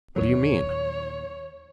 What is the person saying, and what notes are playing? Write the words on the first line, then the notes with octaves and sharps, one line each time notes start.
What do you mean?
D#2 A#2 F#3 C#5